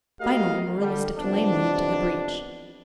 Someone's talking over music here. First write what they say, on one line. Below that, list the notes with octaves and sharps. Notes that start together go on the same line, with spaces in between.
Finally Marilla stepped lamely into the breach.
A3 F#4 G4 A#4 D#5 F5
D3 G3
F2 C3 B3 D4